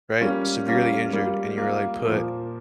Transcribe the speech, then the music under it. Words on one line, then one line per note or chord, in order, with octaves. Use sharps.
right, severely injured and you were, like, put
G3 A#3 C#4 F4
G3 A#3 C#4 F4
G3 A#3 F4
G3 A#3 F4
A#2 F3 A#3